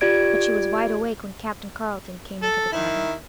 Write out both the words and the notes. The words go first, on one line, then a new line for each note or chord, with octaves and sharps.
But she was wide awake when Captain Carleton came into the cabin.
F4 G4 D5 G#6 D7
A4
D#3 E4